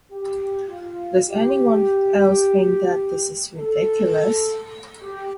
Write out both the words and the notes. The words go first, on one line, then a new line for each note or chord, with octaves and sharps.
Does anyone else think that this is ridiculous?
G4
F4
G4
A4
G4